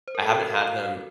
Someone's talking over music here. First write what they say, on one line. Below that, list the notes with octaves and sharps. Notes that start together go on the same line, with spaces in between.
I haven't had them
C5
A#4
A4
F#4 A#4
F5